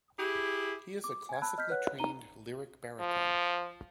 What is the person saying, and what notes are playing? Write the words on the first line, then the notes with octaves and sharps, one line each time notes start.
He is a classically trained lyric baritone.
E4 G4 G#4
D6
G#5 G#6
A5 B5 E6 F#6
D#5 F6 G6 B6
B4 C#5 F#5 F#6
D#4 A#5 D#7 G7
F3